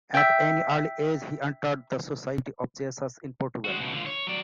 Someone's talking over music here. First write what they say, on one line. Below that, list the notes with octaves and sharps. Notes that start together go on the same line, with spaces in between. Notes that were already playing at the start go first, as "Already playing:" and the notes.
At an early age he entered the Society of Jesus in Portugal.
E5 G5
G#3 F#4
C#2 B2
D3 F4
C#5
F#3 D5